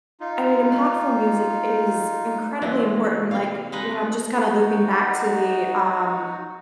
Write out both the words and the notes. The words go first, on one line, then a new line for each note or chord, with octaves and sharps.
I mean, impactful music is incredibly important, like, you know, just kinda looping back to the, um,
D#4 F4
E3 F#3 G#3 A#3 E5
C3 F5
G#3 D#4 B4
D#4 F#4